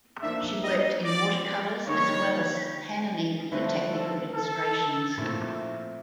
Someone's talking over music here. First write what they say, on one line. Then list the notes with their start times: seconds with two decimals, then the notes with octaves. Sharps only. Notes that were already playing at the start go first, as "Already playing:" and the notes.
She worked in watercolours as well as pen and ink for technical illustrations.
0.22 F3 A#3 D4 E5
0.64 D#5
1.05 D5
1.87 D3 G3 A#3 D#4 C#5
3.52 D3 F3 A3 C4 E4 B4
3.93 A4
4.35 A4
5.18 A#2 F3 A3 C4 E4